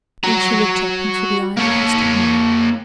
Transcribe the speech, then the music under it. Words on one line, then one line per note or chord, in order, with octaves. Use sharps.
Then she looked up into the eyes of her step-mother.
F#4 A#5
A#3 C#5